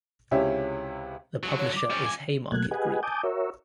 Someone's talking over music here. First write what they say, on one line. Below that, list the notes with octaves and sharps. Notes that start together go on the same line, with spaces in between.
The publisher is Haymarket Group.
C#2 C3 C#4 E4 G4 E5
D3 F#3
C#5
D6
G3 C#4
F2 G#5
B2 F#3 A3 A#3 F#6 G#6
G4 G#4 B4 D#5 F#5 G#5
G#5 A5 D6 D#6 G6
F#4 A#4 C#5 E5